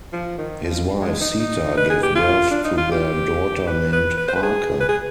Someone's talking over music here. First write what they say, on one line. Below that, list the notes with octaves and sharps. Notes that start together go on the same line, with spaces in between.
His wife, Sita, gave birth to their daughter named Parker.
F3
D#3
F3
G#3
D#4
D#4
B4
G#4
G4
F4
D4
D#4
F4
G4
B4
B4
B4
C5
B4
G#4
B4
G#4